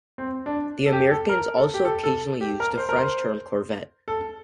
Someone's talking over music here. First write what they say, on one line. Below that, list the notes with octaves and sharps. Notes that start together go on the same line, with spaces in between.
The Americans also occasionally used the French term corvette.
C4
D4
A4
G4
A4
A#4
A4
G4
A4
A4
G4
A#4
C5
A#4
C5
A4